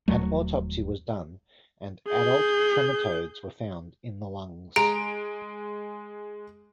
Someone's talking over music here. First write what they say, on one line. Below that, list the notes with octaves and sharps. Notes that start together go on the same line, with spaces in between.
An autopsy was done and adult trematodes were found in the lungs.
D#1 D#2 F#3 A3
G#4 G6
G#3 A#5 D7